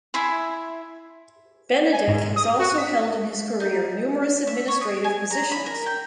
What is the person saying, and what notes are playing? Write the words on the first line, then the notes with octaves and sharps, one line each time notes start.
Benedek has also held in his career numerous administrative positions.
E4 E5 G#5 C6
G#5
G#2
D#6
F#4
B6
D#4
E5
C#5
D#6
G#5
A#5
B5
A#4
G5